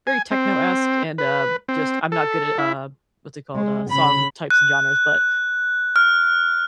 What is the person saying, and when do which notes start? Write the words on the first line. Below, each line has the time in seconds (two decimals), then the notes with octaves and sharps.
very techno-esque and, um, just I'm not good at, uh, what's it called? Uh, song types and genres, but
0.07 G#5
0.31 C4
1.18 B4
1.68 C4
2.12 A4
2.58 E4
3.55 G#3
3.91 C#3 B5
4.50 F#6
5.96 F6